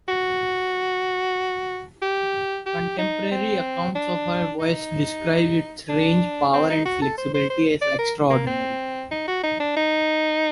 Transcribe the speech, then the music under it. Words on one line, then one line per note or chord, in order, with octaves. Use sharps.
Contemporary accounts of her voice describe its range, power and flexibility as extraordinary.
F#4
G4
G4
D#4
C4
D4
D#4
D4
C4
D#4
F#4
A4
C5
C5
C5
D5
A#4
A#3
C4
D#4
F#4
D#4
D4
D#4